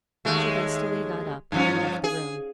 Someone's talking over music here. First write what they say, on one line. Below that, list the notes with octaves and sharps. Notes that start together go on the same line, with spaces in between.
She hastily got up and left the room.
D#2 G#3 A3
G2 F3 C#4
G#4